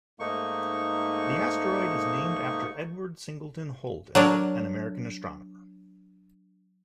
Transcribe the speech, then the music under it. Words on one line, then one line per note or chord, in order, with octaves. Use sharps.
The asteroid is named after Edward Singleton Holden, and American astronomer.
G#2 A3 A#3 D#4 C#6
F#3 D4 A#4